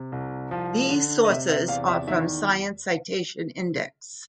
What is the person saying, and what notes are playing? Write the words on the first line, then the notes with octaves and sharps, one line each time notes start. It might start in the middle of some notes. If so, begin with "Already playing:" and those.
These sources are from the science citation index.
Already playing: C3
C2
F3
D3
D#5
C3 E5
E5
E2 F5
E5
D#3 E5